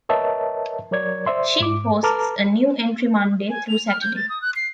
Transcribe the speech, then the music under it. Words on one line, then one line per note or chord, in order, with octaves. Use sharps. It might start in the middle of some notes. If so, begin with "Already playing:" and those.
She posts a new entry Monday through Saturday.
A#4 B4 C#5 D#5 E5 A5
F#3 A#4 C#5 D5 G#6
C5 D5 E5 C6
G#2 D6
A4 B4 A5 A#5 D6 F6
G#5
F7
F6
G6
A6
D#6
F#6
C7